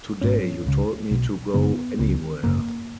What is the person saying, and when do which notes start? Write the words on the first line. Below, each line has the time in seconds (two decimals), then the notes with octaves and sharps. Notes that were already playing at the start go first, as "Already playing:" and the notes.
Today you told me to go anywhere.
0.21 G#1 G#2 C#4
0.66 C#2 C#3
1.11 B1 B2
1.54 F#1 F#2 C#3 B3
1.99 C#2 C#3
2.43 G#1 F#2 C#3 A#3